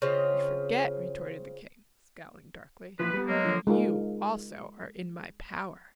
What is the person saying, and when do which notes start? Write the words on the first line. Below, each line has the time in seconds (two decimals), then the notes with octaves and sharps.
"You forget," retorted the King, scowling darkly, "that you also are in my power."
0.02 C#3 C4 F4 D#5
3.00 A#2 E3 F3 B4
3.13 G3 B3
3.28 F#3 G#3 A#3
3.44 D3 F3
3.67 G#3 D#4 F4 A#4